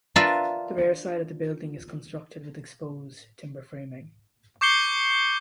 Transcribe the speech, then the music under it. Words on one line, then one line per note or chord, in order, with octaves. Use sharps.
The rear side of the building is constructed with exposed timber framing.
D4 F4 A#4 B4 D5 E5
C#6 D6 G6 C7 C#7 G7